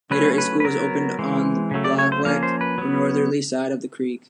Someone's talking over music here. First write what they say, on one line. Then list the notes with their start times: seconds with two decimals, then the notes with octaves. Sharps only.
Later, a school was opened on the Blacklick or northerly side of the creek.
0.11 F#3 A3 C#4 B4
0.38 B4
0.60 B4
0.65 F#3 B3 A#4
1.19 E3 G#3 C4
1.71 C#3 F#3 A3
1.84 D5
1.98 C#5
2.12 C5
2.25 F3 A#3 C#4 F5
2.43 C5
2.61 B4
2.78 F#3 B3